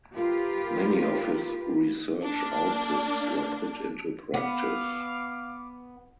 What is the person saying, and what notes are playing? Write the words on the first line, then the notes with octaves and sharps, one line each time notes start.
Many of his research outputs were put into practice.
F4 G4 A#4 B4
A#3 D4
B3 F5 D6